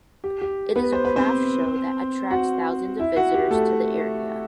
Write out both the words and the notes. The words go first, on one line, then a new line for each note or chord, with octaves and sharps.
It is a craft show that attracts thousands of visitors to the area.
G4
G4
B3 B4
C5
B4
C4 C5
F#4 F#5
E4 E5
F#4 F#5
G4
A3 A4